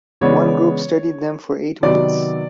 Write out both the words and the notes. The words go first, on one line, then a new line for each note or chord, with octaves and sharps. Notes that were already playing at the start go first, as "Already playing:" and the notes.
One group studied them for eight months.
C#3 E3 G#3 B3 D4 C#5
C3 D#3 F#3 B3 D5